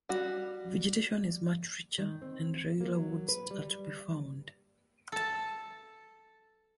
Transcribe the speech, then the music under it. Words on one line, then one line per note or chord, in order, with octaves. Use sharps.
Vegetation is much richer, and regular woods are to be found.
G3 F#4
D#3
C4
A#3
F#3
B4
G3
A4 A5